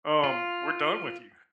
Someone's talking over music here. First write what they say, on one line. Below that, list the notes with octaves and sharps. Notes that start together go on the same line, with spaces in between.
um, we're done with you.
F4